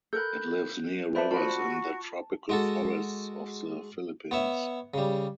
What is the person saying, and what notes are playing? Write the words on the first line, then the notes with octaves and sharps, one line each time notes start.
It lives near rivers in the tropical forests of the Philippines.
A4 A#4 B5 F#6 G6
B4 C5 D5 E5 A5 B5
F4 F#4 A5 B5 C#6
G#3 F#4 A4
B3 C#5 E5
C#3 G3